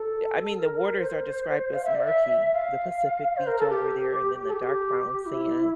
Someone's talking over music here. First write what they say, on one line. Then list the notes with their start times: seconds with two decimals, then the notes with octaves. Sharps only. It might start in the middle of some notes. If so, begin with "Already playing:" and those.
I mean, the waters are described as murky, the Pacific Beach over there, and then the dark brown sand.
Already playing: A4
0.57 A#4
0.96 C5
1.74 F5
1.84 E5
1.95 D5
2.05 E5
2.53 F5
3.37 C5
3.47 A#4
3.59 A4
3.70 G4
4.48 A4
4.53 G4
5.26 E4